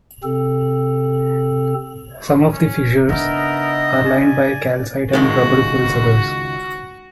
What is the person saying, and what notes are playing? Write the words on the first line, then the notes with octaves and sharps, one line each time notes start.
Some of the fissures are lined by calcite and rubble fills others.
C3 C4 A4
C#4
C#3 B3 D4 D#4 A#4 D#5 E5
D5 G#5
C#2 D#3 G#3 F#4